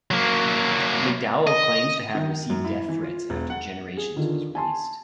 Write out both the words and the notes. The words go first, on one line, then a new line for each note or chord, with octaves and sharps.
McDowell claims to have received death threats after "Generations" was released.
F#3 A#3
D#5
D#3
F#2
E4
E3
F4
E1
F#5
G#4
D3 D#3 F4
G#5 A5 C6